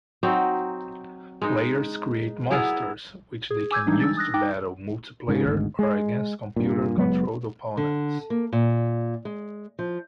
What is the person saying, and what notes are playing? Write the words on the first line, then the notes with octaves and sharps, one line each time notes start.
Players create monsters, which they can use to battle multiplayer or against computer-controlled opponents.
F#3 C4 D#4
G#3 D#4
B3 E4 G#4 A#4
G#4
G#5 D6 E6 G6 G#6
E3 G3 G#3 D4 D#4
E6 A6
D#6 F#6 A#6
D#4 G5 D6
G#2 C#3
G#1 D2 G#2
G#3
G2 A#2
F#1 F#3 G#3 B3
D3
A#3
A#2
G#3
F3